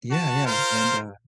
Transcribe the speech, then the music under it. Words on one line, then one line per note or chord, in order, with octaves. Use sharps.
Yeah, yeah, and, uh
F#4 A5
F4 A#4 C5